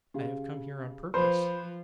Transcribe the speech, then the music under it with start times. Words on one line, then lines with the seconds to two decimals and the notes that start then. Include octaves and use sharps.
I have come here on purpose.
0.14 C#3 G4 F5
1.14 F3 B4 C5 B5